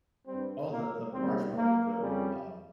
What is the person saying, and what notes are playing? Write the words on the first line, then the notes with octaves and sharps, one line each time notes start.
Oh, the the marshmallow whip, um,
G2 G3 C4
A#3
D#2 C#3 G3 C4
A#3
F2 C#3 G3